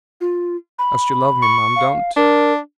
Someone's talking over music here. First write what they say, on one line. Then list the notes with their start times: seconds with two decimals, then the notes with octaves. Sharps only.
"As you love me, mum, don't!"
0.21 F4
0.79 B5
1.43 C#6
1.76 F5
2.17 D4 A#4